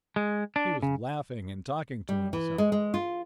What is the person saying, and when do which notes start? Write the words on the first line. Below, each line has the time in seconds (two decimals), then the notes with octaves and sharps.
He was laughing and talking to himself.
0.16 G#3
0.56 D4
0.83 C#3
2.09 G3
2.33 E3
2.58 G#3
2.72 G#3
2.94 F4